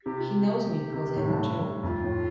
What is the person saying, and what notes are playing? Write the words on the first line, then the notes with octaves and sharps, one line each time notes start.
He knows me because I am a Jew.
C3 G4
F4
G4
C3
A2
G2
A2
G2
F2 F4
A2